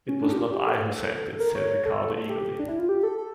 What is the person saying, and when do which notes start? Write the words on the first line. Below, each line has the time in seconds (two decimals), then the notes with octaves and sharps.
"It was not I who sent it," said Ricardo eagerly.
0.08 C#4
0.22 D4
0.32 G4
0.37 F4
0.53 G4
0.67 A4
1.40 A#4
1.55 C#5
1.71 C#5
1.86 A4
2.29 G4
2.59 D4
2.68 E4
2.79 F4
2.89 G4
3.03 A4
3.18 A4